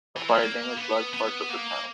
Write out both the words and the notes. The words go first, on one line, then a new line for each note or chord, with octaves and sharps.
A fire damaged large parts of the town.
E3
F#3
A#3
B3
B3
A#3